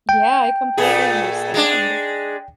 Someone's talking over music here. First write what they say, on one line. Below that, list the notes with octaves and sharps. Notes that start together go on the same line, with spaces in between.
Yeah, I completely understand.
G5
A#2 A3 G#4
G#3 D4